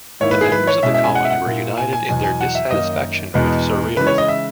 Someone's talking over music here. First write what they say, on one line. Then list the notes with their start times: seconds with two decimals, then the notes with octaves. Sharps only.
The members of the College were united in their dissatisfaction with surrealism.
0.20 G#2 D#3 A#3 E4 C#5
0.31 B4
0.41 G#4
0.52 B4
0.67 C#5
0.83 B2 G#3 C#4 E4 E5
0.94 E5
1.04 G#5
1.15 F#5
1.25 E5
1.30 F#5
1.46 A#2 A#3 E4
1.77 G#5
1.93 G#5
2.08 E2 B2 F#3 G#5
2.24 G#5
2.41 F#5
2.55 E5
2.71 F#2 D#3 A#3 D#4 D#5
3.34 E2 B2 G#3 B3
3.96 C#3 E3 G#3 D#4 B4
4.07 C#5
4.18 D#5
4.28 E5